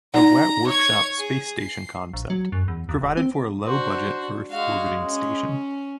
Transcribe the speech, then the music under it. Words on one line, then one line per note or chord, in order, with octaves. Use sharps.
The wet workshop space station concept provided for a low-budget Earth orbiting station.
D#4 D5 F#5 A#5
C#5 G#6
G#4
C7
A#1
F#3
F#2
E2
D#2
E1
C4
D4 F#4 C5
G#3 F#4 F5
C#4